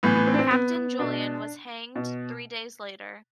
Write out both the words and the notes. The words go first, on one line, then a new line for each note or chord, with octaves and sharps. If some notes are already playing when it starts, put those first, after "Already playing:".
Captain Julian was hanged three days later.
A2 E3 B3
B3
C4
D4
C4
B3
B3
B2 D4
B2